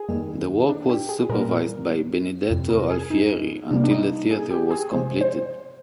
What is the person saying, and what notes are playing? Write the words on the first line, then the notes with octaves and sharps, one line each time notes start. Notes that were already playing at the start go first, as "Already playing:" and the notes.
The work was supervised by Benedetto Alfieri until the theatre was completed.
Already playing: G#4
F2 D#3 G3 A#3
D4
G4
G#4
A#2 G3 A#3 A#4
F2 C3 G3
A#4
G#4
D#4
C3 G3 A#3 D4
D4
D#4
G#4
G4
G#4
C3 F3 G#3 C5
C5